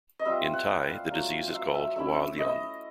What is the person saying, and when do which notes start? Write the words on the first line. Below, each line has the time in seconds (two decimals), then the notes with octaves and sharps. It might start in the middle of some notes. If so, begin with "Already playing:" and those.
In Thai, the disease is called "Hua leung".
0.19 D#5
0.25 G3 C4 F4 E5
0.53 F#5
0.89 F5
1.10 F#3 A3 D4 F4
1.48 F5
1.54 E5
1.74 E5
1.96 A3 C#4 E4 E5
2.38 D#5